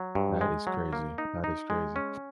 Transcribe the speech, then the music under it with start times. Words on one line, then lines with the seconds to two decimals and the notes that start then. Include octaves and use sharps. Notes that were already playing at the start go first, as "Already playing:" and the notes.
That is crazy. That is crazy.
Already playing: F#3
0.15 G2
0.41 G#3
0.67 F#3
0.93 A#3
1.18 D#4
1.44 D#4
1.70 G#3
1.96 C#4